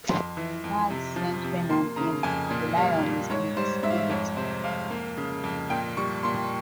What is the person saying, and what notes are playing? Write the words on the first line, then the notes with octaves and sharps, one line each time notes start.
Gags centering on him, rely on his invisibility.
F2 C6
E3
F2
C3
F3
C3
A#3 C6
C#3 A#5
F2 G#5
A#2
G3 F5
A#2
G#2 C#5
G3 C5
G#2 E5
F5
E5
F2 C#5
C3 C5
F2 F5
A#3
C#3
F2
A#2 G5
G3 C#6
A#2 C6